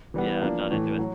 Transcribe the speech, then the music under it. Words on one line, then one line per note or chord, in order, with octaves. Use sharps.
yeah, I'm not into it.
E3 G3 B3
F3 A#3 D4
A2 E3 A3
F#3